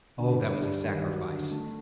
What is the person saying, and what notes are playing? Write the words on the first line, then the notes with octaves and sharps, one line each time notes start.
Oh, that was a sacrifice!
D3
G2
G3
D#3
F#3
D3
A3